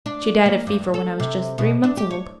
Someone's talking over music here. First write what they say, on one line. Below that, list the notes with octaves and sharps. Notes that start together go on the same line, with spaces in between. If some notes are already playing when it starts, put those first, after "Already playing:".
She died of fever when I was just three months old.
D4
A#3
G2
A4
C3
B2
D4
G4
C#5